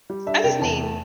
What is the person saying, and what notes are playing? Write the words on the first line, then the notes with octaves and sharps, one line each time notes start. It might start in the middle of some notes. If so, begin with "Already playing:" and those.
I just need
G3
D4 E5
C3 G5
E2 A5
A3